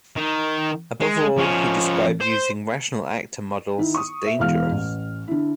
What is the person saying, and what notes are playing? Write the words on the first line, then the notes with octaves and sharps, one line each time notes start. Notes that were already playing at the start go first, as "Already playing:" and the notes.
Above all, he described using rational actor models as dangerous.
D#3
G#3
F3 C#4
C5
D#3 D#4 E4
C#6 D#6
E5
E2 B2 E3 G#3 F5 F6
A1
D3 E4